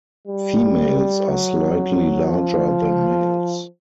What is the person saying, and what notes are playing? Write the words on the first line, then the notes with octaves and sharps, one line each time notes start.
Females are slightly larger than males.
G3
F#3
F3